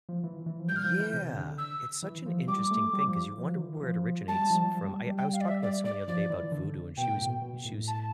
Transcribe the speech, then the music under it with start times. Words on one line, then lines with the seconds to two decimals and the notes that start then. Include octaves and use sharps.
Yeah, it's such an interesting thing, 'cause you wonder where it originates from. I I was talking with someone the other day about Voodoo, and she was she was
0.09 F3
0.24 E3
0.46 E3
0.59 F3
0.68 G3 G6
0.76 F6
0.83 F3 G6
0.99 E3
1.14 C3
1.35 D3
1.58 E6
2.03 E3
2.26 F3
2.48 G3 D6
2.71 A3
2.93 G3
3.08 F3
3.38 F3
3.56 D3
3.61 E3
3.83 F3
4.28 G3 A5
4.41 G3
4.50 F3
4.64 G3
4.72 F3
4.84 G3
5.06 G3
5.18 G5
5.32 F5
5.40 D5
5.48 E5
5.63 D5
5.85 D5
6.08 F3 D5
6.30 E3
6.52 D3
6.97 B2 G5
7.13 A2
7.27 B2
7.42 B2
7.65 A2
7.87 A5